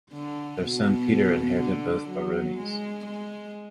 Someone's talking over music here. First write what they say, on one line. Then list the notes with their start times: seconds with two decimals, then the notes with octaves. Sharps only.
Their son Peter inherited both Baronies.
0.14 D3
0.62 B2
1.59 D3
2.08 F#3
2.57 G#3
3.05 G#3